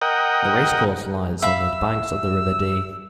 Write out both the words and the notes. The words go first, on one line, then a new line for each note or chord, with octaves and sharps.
The racecourse lies on the banks of the River Dee.
A#4 D#5 F#5 G5
E5 F5 B5 E6